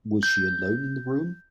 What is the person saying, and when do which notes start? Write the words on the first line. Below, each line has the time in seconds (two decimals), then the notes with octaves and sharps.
Was she alone in the room?
0.23 G6